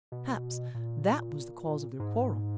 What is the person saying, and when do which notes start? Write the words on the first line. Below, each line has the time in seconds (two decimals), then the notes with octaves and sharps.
Perhaps that was the cause of their quarrel.
0.12 B2
0.74 A#2
2.00 G#2